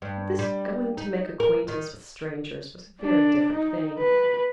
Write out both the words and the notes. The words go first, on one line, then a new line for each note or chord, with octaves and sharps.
But this going to make acquaintance with strangers was a very different thing.
G2
G3
D#4
A#4
D#3
D4
D#4
B4